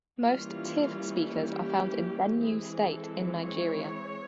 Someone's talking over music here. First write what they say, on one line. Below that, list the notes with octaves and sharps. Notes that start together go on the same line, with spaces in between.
Most Tiv speakers are found in Benue State in Nigeria.
E3 G3 A#3 C#4 F4
G4
E3 G#3 C4 G#4
A4
C#5